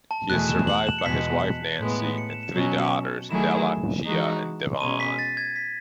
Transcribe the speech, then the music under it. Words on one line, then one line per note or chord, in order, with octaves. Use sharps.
He is survived by his wife Nancy and three daughters Della, Shea, and Devon.
A5
E2 B2 A3 E4 G#4 F#6
E7
F#7
E7
C#7
E2 B2 G#3 B6
A2 G#3 B3
C#7
E7
E7
B2 F#3 C#4 E7
D#3 F#3 A3 E4 G#4 E7
E3 G#3 D#4 F#4
B2 G#3 C#4 D#7
B6
A6
G#6
B6